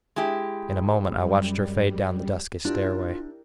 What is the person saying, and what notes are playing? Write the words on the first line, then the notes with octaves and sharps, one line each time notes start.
In a moment I watched her fade down the dusky stairway.
G#3 E4 G4
F#2 G3
D4 E4 F4 G4 A#4